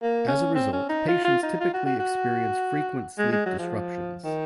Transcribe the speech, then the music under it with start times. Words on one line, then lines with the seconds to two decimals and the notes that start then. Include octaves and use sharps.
As a result, patients typically experience frequent sleep disruptions.
0.02 A#3
0.28 C#4
0.55 C4
0.73 C#4
0.89 D#4
1.08 F4
1.25 F4
1.43 D#4
1.60 F4
1.74 F#4
1.86 F#4
1.99 F#4
3.18 G#3
3.32 G#3
3.46 F#3
3.58 F3
4.24 D#3